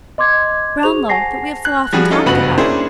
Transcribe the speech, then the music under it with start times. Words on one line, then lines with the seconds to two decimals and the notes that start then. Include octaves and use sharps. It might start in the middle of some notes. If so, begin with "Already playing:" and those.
Brownlow, that we have so often talked about.'
0.18 D#5 C6 D6 G#6
0.83 F#4 G#4 C5 C#6 F7
1.09 F#5 G#5 A5 A#6 C7
1.65 F#6
1.93 F3 G3 F#4 G#4
2.11 C#4 D#4 F4 A4
2.26 F#1 G2 B3 F#4 B5 F#7
2.58 A#3 C#4 D4 E4 G#4 C5